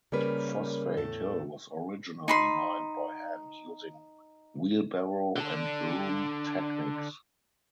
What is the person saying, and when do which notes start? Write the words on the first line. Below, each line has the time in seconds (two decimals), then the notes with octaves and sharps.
Phosphate Hill was originally mined by hand using wheelbarrow and broom techniques.
0.12 C#3 G3 A#3 C#4 A#4 B4
0.97 E2 A2 C#3 A4
2.28 D#4 B5 C6
5.37 D3 D4